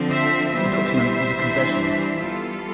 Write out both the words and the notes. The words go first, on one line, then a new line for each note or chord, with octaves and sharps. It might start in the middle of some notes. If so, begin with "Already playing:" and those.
The document was a confession.
Already playing: D3 F3 C4
C5 E5
E3 G3 B3 C5 E5
E3 G3 B3 D4
E3 G3 B3 F4 A4